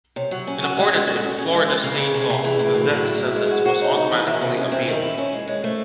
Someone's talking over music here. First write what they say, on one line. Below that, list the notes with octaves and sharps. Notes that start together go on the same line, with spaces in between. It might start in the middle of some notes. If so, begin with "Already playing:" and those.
In accordance with Florida State Law, the death sentence was automatically appealed.
C3 C#5
F#3
C#4
F#4
G#3
G#3
F#4 A4
C#4
C#4
G#3
C4
C#3
C#4 G#4
C3
C3
E3 G#4
A2 G#4
A2 F#4
F#3 G#4
E4
E4
F#4
G#3 G#4
F#4 G#4
F#4 C5
D#4 C#5
D#4
E3
D#3 E5
C3
C#4
C4 E5
D#3
E4
C#4 C#5
G#3
G#3 C#5
A3 C5